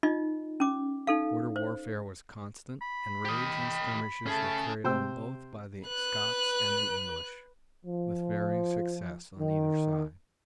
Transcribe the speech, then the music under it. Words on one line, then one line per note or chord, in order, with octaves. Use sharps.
Border warfare was constant and raids and skirmishes were carried on both by the Scots and the English, with varying success on either side.
D#4 F4 D#5
C#4 D6
D#4 A4 F5
C5
B5
G4 D#5
A3 C#4 G#4 A5
C3 C5 G5 E6
B4 F#6
F3
D#3